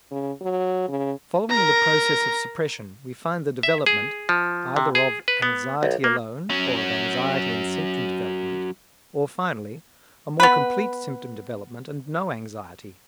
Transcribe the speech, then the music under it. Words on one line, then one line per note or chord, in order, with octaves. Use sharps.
Following the process of suppression we find the development, either of anxiety alone or of anxiety and symptom development, or finally a more complete symptom development and no anxiety.
C#3
F#3
C#3
A#4 A#5
E5
G#4
F3
C3
G#4
B4
B3
B1
A#3
F#3 C#4
B3 B4